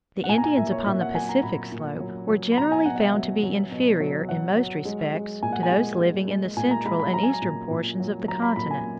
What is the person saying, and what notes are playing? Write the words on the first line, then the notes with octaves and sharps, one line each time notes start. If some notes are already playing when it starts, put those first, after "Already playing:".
The Indians upon the Pacific slope were generally found to be inferior in most respects to those living in the central and eastern portions of the continent.
F#5
A#2 G#5
A#5
G#5
A#2 E5
C#5
A#2 E5
F#5
F#3 G#5
A#5
A#2 B5
A#2
F#3
F#3
B5
B2 A#5
G#5
B2 F#5
F#5
E5
F#3
F#3
B2
F#3
F#3 F#5
F#3
G#3
G#3
A#2 G#5
F#5
G#5
G#3
G#3
G#3
A#2 G#5
A#5
G#3 B5
B5
F#3 A#5
G#5
A#5
A#2
A#2
F#3
F#3 A#5
B5
A#2 B5
G#5